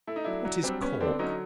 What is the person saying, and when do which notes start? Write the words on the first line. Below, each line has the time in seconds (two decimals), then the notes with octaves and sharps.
What is Cork?
0.07 A3 E4
0.16 D#4
0.24 F#3 D4 E4
0.45 F#3
0.63 G3 C4 D4
0.82 B3 C#4
1.00 D3 C4 D4
1.19 F#3 C#4 D#4